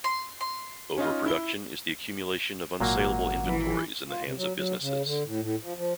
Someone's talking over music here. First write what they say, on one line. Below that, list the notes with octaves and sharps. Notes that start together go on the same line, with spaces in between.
Overproduction is the accumulation of unsalable inventories in the hands of businesses.
C6
C6
C#4 D#4 F4
E4 G7
G#1 A#2 F#3 A#3 F#5
E3
F4
C3
F#3
F#3
C#3
D3
A2
A2
F3
F3